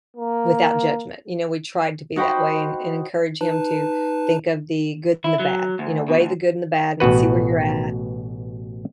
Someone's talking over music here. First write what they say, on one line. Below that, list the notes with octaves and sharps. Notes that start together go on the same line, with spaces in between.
without judgment, you know, we try to be that way and and encourage him to think of the good and the bad, you know, "weigh the good and the bad and see where you're at
A#3
D#4 F#4 C5 G5 B5
D#4 B4 A5
E4
F#3
D2
B2
D2
A1 B2 F#4 B4